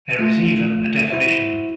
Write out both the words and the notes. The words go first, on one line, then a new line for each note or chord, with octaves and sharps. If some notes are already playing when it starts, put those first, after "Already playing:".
There is even a definition.
A3 F4
E4 F#4 C5 E5